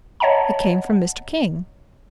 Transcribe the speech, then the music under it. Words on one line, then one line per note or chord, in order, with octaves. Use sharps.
It came from Mr. King.
C#5 D#5 F#5 A5 A#5